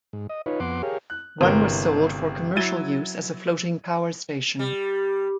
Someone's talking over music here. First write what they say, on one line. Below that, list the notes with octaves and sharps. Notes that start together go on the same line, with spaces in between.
One was sold for commercial use as a floating power station.
G#2
D#5
D#4 F4 B4 C#5
F2 B3 F#5 C6 D6
G4 G#4 A#4 C#5 F5
F#6
G1 C3 E3 G#3 A#4 G7
F#3 E4 G#6 A6 D#7 G7
G3